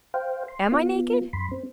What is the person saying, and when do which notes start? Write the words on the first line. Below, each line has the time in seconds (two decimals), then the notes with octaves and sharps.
'Am I naked?
0.14 C5 F5 G5
0.48 C6
0.72 B3 F4
1.33 F#2 B5 C6
1.51 C4